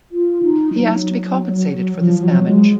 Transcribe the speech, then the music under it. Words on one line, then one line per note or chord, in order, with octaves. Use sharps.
He asked to be compensated for this damage.
F4
D#4
F#3
F3
F#3
G#3